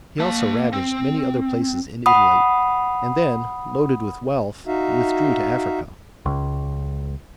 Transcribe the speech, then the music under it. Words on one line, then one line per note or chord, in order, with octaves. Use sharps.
He also ravaged many other places in Italy, and then, loaded with wealth, withdrew to Africa.
A#3 A5
C4
F#5 B5 D#6
D#4 F#4 E5 F5
C#2